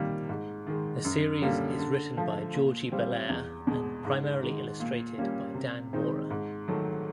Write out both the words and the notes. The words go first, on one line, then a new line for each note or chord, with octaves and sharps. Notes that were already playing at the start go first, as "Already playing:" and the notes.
The series is written by Jordie Bellaire and primarily illustrated by Dan Mora.
Already playing: C3 D#3 G3 A#3
G#2
D#3 G#3
F#2
D3 G3 A#3 C#4
D3
F3 A3
A#2
G3 C4 F4
E2
B2 G#3
G#2
D#3 G#3
A#2
G3 A#3 C#4
C3
D#3 G#3 C4 D#4
G#2
D#3 F#3 A3